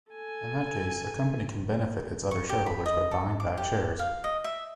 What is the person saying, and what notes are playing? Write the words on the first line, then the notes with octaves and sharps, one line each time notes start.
In that case a company can benefit its other shareholders by buying back shares.
A4 G#5
C#6
G4
B5
D#5
A4
D6
G4
F5
D#5
E5